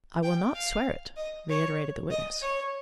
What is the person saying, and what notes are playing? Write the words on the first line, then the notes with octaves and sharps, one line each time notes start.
"I will not swear it," reiterated the witness.
G5
F5
D#5
C#5
D#5
C#5